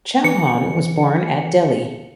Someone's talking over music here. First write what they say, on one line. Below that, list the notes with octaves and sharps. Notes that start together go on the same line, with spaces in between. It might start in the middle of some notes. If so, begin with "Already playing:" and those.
Chauhan was born at Delhi.
E3 C#7